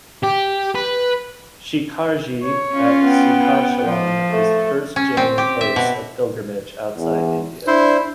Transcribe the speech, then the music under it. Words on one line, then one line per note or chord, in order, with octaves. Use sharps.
Shikharji at Siddhachalam is the first Jain place of pilgrimage outside India.
G4
B4
C#5
C#4 F4
B3 G5
F3
A3 A4
C#4
C4
G4
E5
B2
E2
D4 E4 C5